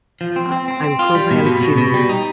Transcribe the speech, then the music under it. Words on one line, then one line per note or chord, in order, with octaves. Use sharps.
I I'm programmed to
F3
C4
C4
C4
C4
F4
G3
B2
B2
B2
B2
G3
D#4